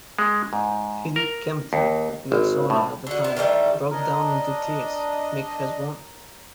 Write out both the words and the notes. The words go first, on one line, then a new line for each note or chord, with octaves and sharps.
Phiddy Kempton, Mick's owner at the time, broke down into tears, Mick has won!
G#3
G#2
A#4
D#2
G#1
A2
D3 F#4
B3 E4
D#3 E3 G3 A3
D4 A#4 C#5 D#5 A5